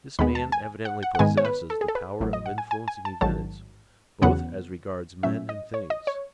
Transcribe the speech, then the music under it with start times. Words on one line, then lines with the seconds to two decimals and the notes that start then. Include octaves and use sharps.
This man evidently possesses the power of influencing events, both as regards men and things.
0.19 D#2 D#3 G#3 B3 B5
0.35 A5
0.52 G#5
0.85 F#5
1.03 F#5
1.15 F#5
1.19 G#2 D#3 G#3 B3 G#5
1.37 C#5
1.45 B4
1.70 A4
1.81 G#4
1.88 A4
1.95 B4
2.20 A1 A2 F#3
2.33 D#5
2.46 F#5
2.58 G#5
2.71 G#5
2.88 G#5
3.05 A5
3.21 A1 G#2 D#3 F#3 A5
4.22 E2 C#3 F#3 B3 F#5
5.23 A2 F#3 C#4 E5
5.49 D#5
5.74 C#5
5.90 D#5
6.07 C#5